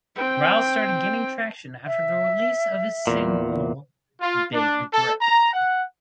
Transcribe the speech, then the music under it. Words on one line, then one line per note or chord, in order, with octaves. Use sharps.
Ryles started gaining traction after the release of his single "Big Drip".
C4 G5
E5
E2 A#2
F4
D4
A4
A#5
F#5